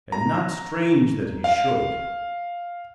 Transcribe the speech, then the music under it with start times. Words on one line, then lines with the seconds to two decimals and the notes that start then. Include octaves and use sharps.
And not strange that he should.
0.12 A#5
1.44 F5